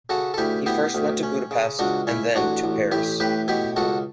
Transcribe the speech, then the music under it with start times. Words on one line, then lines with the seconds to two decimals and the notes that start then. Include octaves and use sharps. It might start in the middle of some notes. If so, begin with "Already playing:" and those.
He first went to Budapest and then to Paris.
0.09 C#3 F#4 A4
0.34 A4
0.38 D2 E4 G4
0.66 B3 E4 G4
0.95 D2
1.23 C#4
1.51 C#3
1.79 C#2 D4 F#4
2.07 C#4 E4
2.35 A1 D4 F#4
2.64 A1
2.92 A1 E4 G4
3.20 A2 G4 B4
3.48 B2 E4 G4
3.76 C#2 F#4 A4